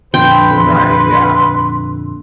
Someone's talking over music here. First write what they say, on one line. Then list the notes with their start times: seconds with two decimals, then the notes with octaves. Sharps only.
Right. Yeah.
0.14 F2 A#2 D3 B4 G5 C6